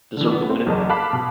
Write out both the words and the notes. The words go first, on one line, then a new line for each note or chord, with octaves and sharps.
deserve to win it.
D3 E3
B3
C4
F#1 E2 A#4 D#5 A5
F5 A5 B5 D6 F#6 B6
B2